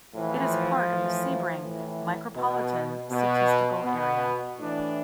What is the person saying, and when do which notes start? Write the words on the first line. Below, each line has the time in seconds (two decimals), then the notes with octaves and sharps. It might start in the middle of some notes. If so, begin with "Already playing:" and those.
It is part of the Sebring Micropolitan Statistical Area.
0.13 A2 E3 F3
0.87 A2
0.92 E3
1.62 A2 E3
2.35 B2
3.10 B2
3.83 B2 B3
4.58 A2 E3 D4